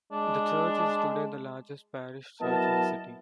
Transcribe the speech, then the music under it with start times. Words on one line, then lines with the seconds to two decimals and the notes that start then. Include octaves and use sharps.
The church is today the largest parish church in the City.
0.12 G#3 D4
2.41 F#3 B3 E4 A#4 D#5 A5